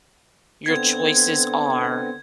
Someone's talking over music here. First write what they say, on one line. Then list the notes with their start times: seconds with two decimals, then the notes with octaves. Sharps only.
your choices are
0.66 D3 B3 C4 G#6